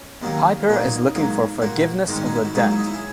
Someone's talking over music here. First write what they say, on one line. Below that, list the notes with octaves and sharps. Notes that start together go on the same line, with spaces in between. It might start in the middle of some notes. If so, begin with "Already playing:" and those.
Piper is looking for forgiveness of the debt.
Already playing: C#4
D#2 D#3 F#3 A#3
A#2 F#3 A#3 D#4
G#2 F#3 A#3
A#2 A#3 F#4
G#2 D#3 G#3
C#4
D#4
E4
F#4
G#2 F#3 A#3 G#4
E4
D#4
E4
G#4